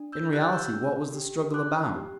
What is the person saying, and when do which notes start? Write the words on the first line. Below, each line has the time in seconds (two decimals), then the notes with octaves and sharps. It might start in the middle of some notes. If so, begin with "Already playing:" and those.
In reality, what was the struggle about?
Already playing: D4
0.12 E6 G6
0.33 G4 F#6 A6
0.53 E6 G6
0.73 D4
1.13 G4
1.54 D4 D6 F#6
1.95 G4